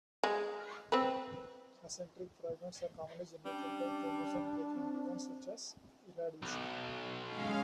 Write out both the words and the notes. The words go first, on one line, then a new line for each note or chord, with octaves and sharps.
Acentric fragments are commonly generated by chromosome-breaking events, such as irradiation.
G#3
C4 B4
G3 C#4 D4
C4
B1
G#3 C#4 F5